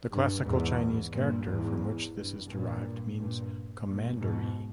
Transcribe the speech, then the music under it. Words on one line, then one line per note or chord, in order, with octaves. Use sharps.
The Classical Chinese character from which this is derived means commandery.
G2
E2 G#2
G2 A#2
E2 G#2
G2
G2 A#2
G2 A#2
G2 A#2
G#2 B2